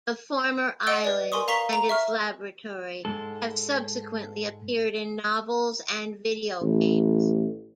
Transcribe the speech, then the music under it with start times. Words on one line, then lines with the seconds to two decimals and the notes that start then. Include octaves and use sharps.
The former island and its laboratory have subsequently appeared in novels and video games.
0.87 D#5 F#5 D6 E6 D7 G7
1.04 B4 D5
1.32 A#4 G#5 C6 C#6 D#6
1.48 F5 A#5 C#6 B6 C7 G7
1.73 A#5
1.89 E5 C#6 F6
3.05 G#2 G#3 A4
6.62 A1